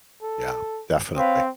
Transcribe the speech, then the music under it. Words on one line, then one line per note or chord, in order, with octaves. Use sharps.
Yeah, definitely.
A4
C4 B4 C#5 F5